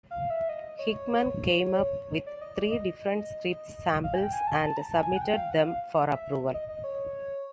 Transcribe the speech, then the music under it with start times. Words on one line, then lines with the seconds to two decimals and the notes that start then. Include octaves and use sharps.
Hickman came up with three different script samples and submitted them for approval.
0.11 F5
0.30 E5
0.49 D#5
0.79 C#5
2.26 D5
2.41 D#5
2.56 D5
2.71 D#5
4.04 F5
4.14 G#5
4.18 G5
4.33 G#5
4.47 A5
4.62 A5
4.77 A#5
4.82 A5
5.02 G#5
5.16 F#5
5.22 G5
5.36 F5
5.51 F#5
5.66 F5
6.10 E5
6.54 D#5
6.69 D#5
6.84 C#5